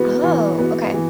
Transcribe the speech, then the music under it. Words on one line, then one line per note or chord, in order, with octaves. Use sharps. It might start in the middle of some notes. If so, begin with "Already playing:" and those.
Oh, okay.
Already playing: E3 B3 F#4 B4
E3
B3 F#4 B4
E3